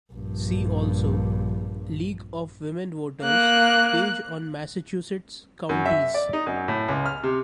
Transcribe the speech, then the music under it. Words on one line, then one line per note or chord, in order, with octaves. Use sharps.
See also: League of Women Voters page on Massachusetts counties.
A#1 G2
A#3 F#6
F#2
E5
D5
D#4
F#2
A2
C#2
F6
C3